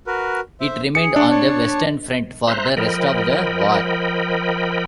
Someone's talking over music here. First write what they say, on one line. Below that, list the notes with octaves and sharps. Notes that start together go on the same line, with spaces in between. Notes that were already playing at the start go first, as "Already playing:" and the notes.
It remained on the Western Front for the rest of the war.
F#4 A#4 B4
C5 E5
G#4 C#7
D4
C#5 A5
C5 E5 A#5 C6 F#6
F3 A#4 D#5 G5 B5